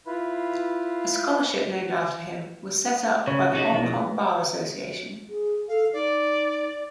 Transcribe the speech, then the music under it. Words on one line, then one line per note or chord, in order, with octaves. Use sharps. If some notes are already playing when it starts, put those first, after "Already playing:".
A scholarship named after him was set up by the Hong Kong Bar Association.
E4 F4 B4
C#3 C#4 C#5
C3 D4 D#4 F#4 G#4 A#4
B2 F3 E4 B4
G#4
A4 F5
D#4 D5